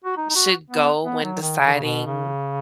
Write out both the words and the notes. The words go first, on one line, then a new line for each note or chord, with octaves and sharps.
should go when deciding
F#4
D#4
D#4
F#4
B3
B3
F#3
D#3
C#3
D#3
C#3
B2
C#3